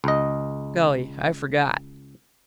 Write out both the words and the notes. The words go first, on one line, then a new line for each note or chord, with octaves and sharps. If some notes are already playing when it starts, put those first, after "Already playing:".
Golly, I forgot.
C#2 D#5